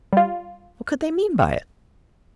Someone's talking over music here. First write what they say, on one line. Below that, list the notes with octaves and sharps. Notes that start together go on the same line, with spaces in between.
What could they mean by it?
G3 F4